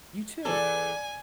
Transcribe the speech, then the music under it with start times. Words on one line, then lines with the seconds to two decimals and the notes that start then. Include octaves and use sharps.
You too.
0.45 E2 A4 D5 G#5